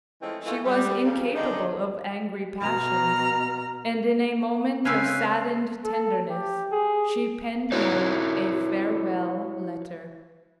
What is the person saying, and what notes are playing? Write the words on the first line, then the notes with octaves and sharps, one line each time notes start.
She was incapable of angry passions, and in a moment of saddened tenderness she penned him a farewell letter.
E3 F3 G#3 A3 C4 C#4
E3 G#3 A3 F4
G3
F2 A#2 C#3
D3 D#3 G#3 D4 D#4
B2 A#5 F6
C#3 C4 C#4 B4 F5 G#5
A4
G4
G#4
E4 F#4 B4 C#5